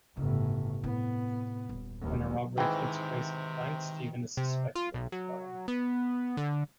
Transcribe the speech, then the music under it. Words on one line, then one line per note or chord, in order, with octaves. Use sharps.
When a robbery takes place at the bank, Stephen is suspected of the crime.
G1 A2 C#3 E3
A2 C3 B3
D#1 F#2
F1 D#2
G#2 C3 D#3 E3 G5
C3
F4
B1
F#3
B3
D3